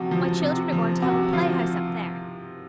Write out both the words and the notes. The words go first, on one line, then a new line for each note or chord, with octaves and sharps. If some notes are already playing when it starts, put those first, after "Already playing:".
My children are going to have a play-house up there.
Already playing: C3 F3 F#4
F3
C3
F3
C3 F#4
F3 F4